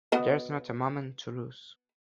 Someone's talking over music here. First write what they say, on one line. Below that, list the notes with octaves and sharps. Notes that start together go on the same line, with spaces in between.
There's not a moment to lose.
B3 F#4 D#5